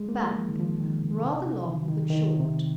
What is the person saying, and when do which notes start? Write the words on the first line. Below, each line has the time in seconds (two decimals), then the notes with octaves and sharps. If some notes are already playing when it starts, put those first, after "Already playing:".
BACK--Rather long than short.
Already playing: G#3
0.09 A#3
0.37 F3
0.49 D#3
0.60 F3
0.80 D#3
1.02 C3
1.25 C3
1.46 C3
1.67 D#3
1.88 D#3
2.10 D#3
2.40 C3